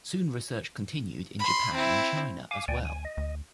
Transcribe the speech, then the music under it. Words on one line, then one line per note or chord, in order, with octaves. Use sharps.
Soon research continued in Japan and China as well.
B5 C6
C4 E4
F5 G#5 D6
D2 D5 G5 G#5
G#5
D#5
D2